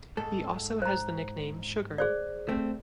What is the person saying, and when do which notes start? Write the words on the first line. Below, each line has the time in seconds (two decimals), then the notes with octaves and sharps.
He also has the nickname "Sugar".
0.17 G#2 A4
0.82 C5 A#5
1.98 G#4 C5 D5
2.49 A3 C4